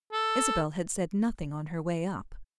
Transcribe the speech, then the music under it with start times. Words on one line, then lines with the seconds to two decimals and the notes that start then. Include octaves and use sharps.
Isabel had said nothing on her way up.
0.13 A4